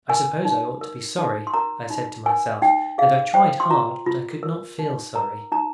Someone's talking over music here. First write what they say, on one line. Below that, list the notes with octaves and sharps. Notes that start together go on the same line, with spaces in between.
"I suppose I ought to be sorry," I said to myself; and I tried hard, but I could not feel sorry.
A#4 G#5
D#4
A#4
D#4
C6
A#4 A#5
D#4
A#4 G#5
D#4 G5
G#4 F5
C5 G5
C6
F4 A#5
F4
A#4
D#4
A#4 A#5
D#4 A#5